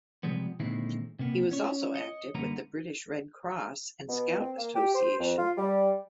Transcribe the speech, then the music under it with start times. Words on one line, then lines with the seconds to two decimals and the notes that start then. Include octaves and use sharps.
He was also active with the British Red Cross and Scout Association.
0.23 C3 F3 G3 G#3 B3
0.60 A#2 D3 D#3 G#3 C4 E4
1.19 C3 A#3 B3
1.51 C#4 C#5
1.95 C#5 D#5
2.35 F#2 D3 G3 A#3 B3 A#5
4.09 B2
4.40 C4
4.58 A#3
4.75 G4
4.95 C5
5.20 F2
5.38 F4
5.58 G3